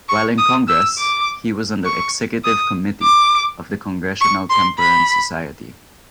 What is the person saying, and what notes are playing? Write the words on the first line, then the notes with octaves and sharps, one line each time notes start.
While in Congress, he was on the executive committee of the Congressional Temperance Society.
C#6
D#6
E6
D6
C#6
D#6
D6
C#6
C6
B5